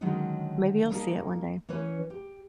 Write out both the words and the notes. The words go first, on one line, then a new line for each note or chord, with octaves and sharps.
Maybe you'll see it one day.
D3 D#3 F#3 G#3 C#4 D#4
G3 A#3 D#4 F4 G#4 A4
E3 C#4 E4 B4 C#5
G4